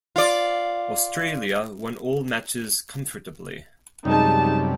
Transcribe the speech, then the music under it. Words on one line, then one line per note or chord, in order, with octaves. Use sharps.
Australia won all matches comfortably.
F4 D5
F#2 C3 G3 G#3 D#4 A5